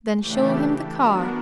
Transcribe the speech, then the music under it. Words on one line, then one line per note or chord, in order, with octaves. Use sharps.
Then show him the car.
C#3 E3 A3 D4 G4
B3 D4 F#4 A#4